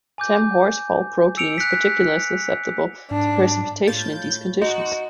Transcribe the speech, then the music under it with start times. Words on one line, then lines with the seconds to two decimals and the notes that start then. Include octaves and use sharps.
Tamm-Horsfall protein is particularly susceptible to precipitation in these conditions.
0.18 G#5 D6 G6
1.37 E6 C#7 D7 F7
1.58 F#6 B6
3.11 G#2 D4
3.87 A2 F4 G6 A6
4.61 D#4 F#4 D#5